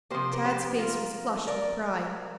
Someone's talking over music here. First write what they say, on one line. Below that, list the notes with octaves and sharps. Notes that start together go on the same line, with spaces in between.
Tad's face was flushed with pride.
C3 F3 A#3 G4 C5
A#4
G4 C5
F4 A#4
A#4 D5